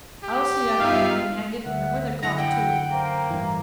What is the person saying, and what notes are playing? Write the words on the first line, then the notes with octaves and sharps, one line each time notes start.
I'll see after the wind, hang it, and the weather-cock, too.
G4
G2 B3 D#4 F4 E5 F5
D2 E5 F#5
F#2 D3 A#3 E4 F#5 A#6
F#5 G5
A#3 C5 F5 A#5
A1 G2 E3